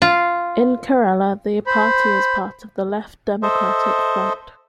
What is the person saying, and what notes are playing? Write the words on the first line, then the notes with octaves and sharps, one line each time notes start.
In Kerala, the party is part of the Left Democratic Front.
F4
C5 B5
A4 C5 D#5 E5